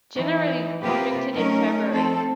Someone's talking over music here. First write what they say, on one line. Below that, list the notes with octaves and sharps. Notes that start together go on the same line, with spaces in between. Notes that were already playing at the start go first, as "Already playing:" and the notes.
Generally conducted in February.
E3 D#4
C3 A#3 F4 G4 A#4 B4
F#3 A3 C#4 D#4 A#4
F3 C4 A4